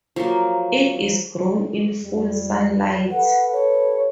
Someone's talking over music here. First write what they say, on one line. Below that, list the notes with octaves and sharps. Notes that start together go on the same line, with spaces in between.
It is grown in full sunlight.
F3 F#3 A#3
F2 G3
G4 A4 B4 F#5
C#5